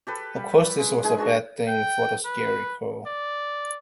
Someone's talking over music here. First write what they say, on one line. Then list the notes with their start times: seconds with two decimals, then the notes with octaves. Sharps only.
Of course this was a bad thing for the Scarecrow.
0.07 G4 A4 B4
0.36 G3
0.78 G#3
1.03 G#3 D#4 G#4 G#5
1.18 D4 F#4 A#4 A5
1.68 G5
2.25 B4
3.06 D5